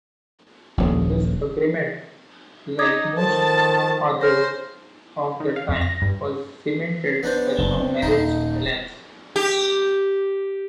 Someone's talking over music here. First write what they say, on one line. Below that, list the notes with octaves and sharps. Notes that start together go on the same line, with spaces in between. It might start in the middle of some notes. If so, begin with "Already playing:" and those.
This agreement, like most others of the time, was cemented with a marriage alliance.
D#1 A#1
D#4 D6 D#6 G#6
D#3 F3 A4 A5
C#3 C5 F6 A#6
D#3
F5
F2
A#6
G2
B3 D4 C5
F#1 G2
C4
D#1 D#4
G4